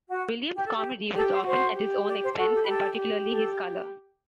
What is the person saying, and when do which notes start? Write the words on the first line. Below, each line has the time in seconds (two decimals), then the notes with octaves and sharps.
Williams' comedy was often at his own expense, and particularly his colour.
0.09 F#4
0.55 G4
0.65 A4
0.77 G4
1.16 G4 A4
1.31 C5
1.47 F#4 C5
1.77 G4
2.07 D5
2.23 C5
2.37 F#4 A4
2.53 G4
2.63 B4
2.68 G4 A4
2.99 G4
3.30 A4